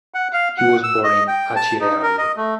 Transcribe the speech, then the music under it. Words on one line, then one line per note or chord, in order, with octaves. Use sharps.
He was born in Acireale.
F#5
F5
F#5
E6
D#5
G5
A5
D#4
A#4
D#5
A3